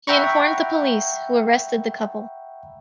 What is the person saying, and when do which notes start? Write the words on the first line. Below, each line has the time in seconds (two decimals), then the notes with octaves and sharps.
He informed the police, who arrested the couple.
0.07 E5 F#5 G5 A#5 B5 C#6